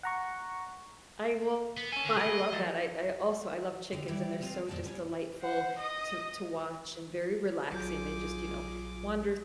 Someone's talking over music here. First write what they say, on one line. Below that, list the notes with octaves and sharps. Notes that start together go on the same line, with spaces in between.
I will I love that, I I also I love chickens and they're so just delightful to to watch and very relaxing, they just, you know, wander
F#5 A#5 C#6
B3
C#4 A4 G#5
D3
G#4 A#4 B4 D#5
F3 F#3 A4
D3 D#4 G4
E3 G3 E4 G4 D5
G3 G#3 C4 F4 F5
F2 A#2 D#3 A3 D5 A5
G3 B3 C#4 D4
C5 F#5
D#5 D#6
A#1 F#3 F4 G#4 D6 G6